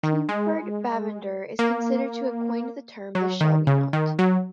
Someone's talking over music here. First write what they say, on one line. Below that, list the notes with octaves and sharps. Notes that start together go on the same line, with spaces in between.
Kingford Bavender is considered to have coined the term the "Shelby" knot.
D#3
G#3
A#3
F#3
D#3
C#3
D#3
F#3